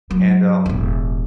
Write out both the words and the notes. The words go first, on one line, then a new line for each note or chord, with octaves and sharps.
and, um
F#3
E1 A1